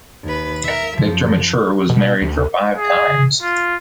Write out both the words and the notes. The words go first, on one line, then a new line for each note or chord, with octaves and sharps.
Victor Mature was married for five times.
D#2 B4
A#4 E5
F#2 F3
B2
D2
G#4
F4